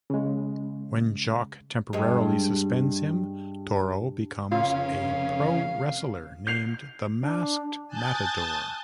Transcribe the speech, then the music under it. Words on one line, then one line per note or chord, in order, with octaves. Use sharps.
When Jock temporarily suspends him, Toro becomes a pro-wrestler named "The Masked Matador".
C#3 G#3
G2 G#3
F1 C#3 F4 F5
G6 C7 F7
D4
G#5 A5 D#6 F#6 G6 A6